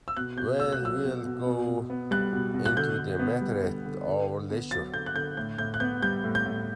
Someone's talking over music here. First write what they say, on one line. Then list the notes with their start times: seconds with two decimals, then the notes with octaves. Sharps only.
Well, we’ll go into the matter at our leisure.
0.08 E6
0.17 B2 F#6
0.38 B2 G6
0.59 A3 E6
0.72 F#6
0.81 F#3 E6
1.03 B2
1.25 B2
1.47 B2
1.68 B2
1.90 B3
2.11 G3 F#6
2.33 B2
2.54 B2
2.66 F#6
2.77 D3 G6
2.99 D3
3.19 B3
3.41 G3
3.64 D3
3.86 D3
4.07 D3
4.29 D3
4.50 B3
4.71 F#3 A6
4.93 D3 G6
5.06 F#6
5.16 D3 G6
5.37 A2 G6
5.58 A2 G6
5.74 F#6
5.80 B3 G6
6.02 G3 G6
6.24 A2
6.35 G6
6.46 A2